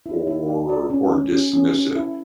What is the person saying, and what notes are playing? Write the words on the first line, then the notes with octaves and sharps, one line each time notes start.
or or dismissive,
E4
E4
D5
D5
C#4
C#4
C#4
C#4
C#4
E4